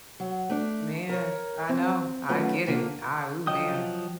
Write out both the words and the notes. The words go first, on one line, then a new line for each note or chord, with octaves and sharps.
Man, I know. I get it. I ooh, man.
F#3
A3 D4 D5
A#4 C#5
C4
F#3 A3 C#4 F4 B4
D3 A#3 F4
F3 F#3 D#5 G5 D#6